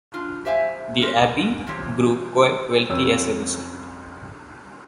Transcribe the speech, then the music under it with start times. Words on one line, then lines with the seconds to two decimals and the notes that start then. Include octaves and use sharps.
The abbey grew quite wealthy as a result.
0.14 D4 F4
0.45 G4 C5 E5 F5 G#5
1.02 G#3 G4 A#4
1.67 E2 F3 C4 G4 C#5
2.89 F2 C#4 E6